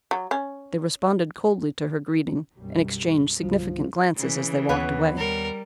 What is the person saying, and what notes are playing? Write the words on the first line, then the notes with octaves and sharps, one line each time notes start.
They responded coldly to her greeting and exchanged significant glances as they walked away.
F#3
C#4
B1 F#2 G3
F#1 C2 G2 F3 F#3
C#3 E3
D#2 B3 B4 C#5
G3 A#4